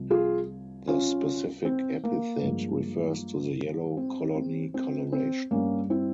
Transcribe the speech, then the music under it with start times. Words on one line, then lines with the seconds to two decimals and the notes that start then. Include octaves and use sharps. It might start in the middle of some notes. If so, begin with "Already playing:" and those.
The specific epithet refers to the yellow colony colouration.
Already playing: C2 C3 F3
0.11 F4 G#4
0.87 C#4 F4
1.65 C4
2.04 A#3
2.42 G2 F3 G#3
3.97 C4
4.35 C4
4.74 C4
5.12 C4
5.51 G2 G3 A#3 C#4
5.90 C4 E4